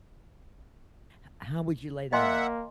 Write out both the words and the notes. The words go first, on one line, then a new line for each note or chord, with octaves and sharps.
H how would you lay that out?
A#3 D#5 E5 F#5 G#5 C6